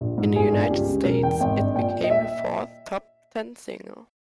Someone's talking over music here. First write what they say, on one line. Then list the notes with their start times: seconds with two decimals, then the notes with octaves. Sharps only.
In the United States, it became her fourth top-ten single.
0.01 A#1
0.18 G#2
0.36 G1 G#4
0.53 G2
0.70 C#2 G4
0.89 C#3
1.05 E1 A#4
1.23 E2 G5
1.40 G#1 G5
1.57 G2
1.75 A#2 G5
1.93 A#2
2.04 D#5
2.10 E5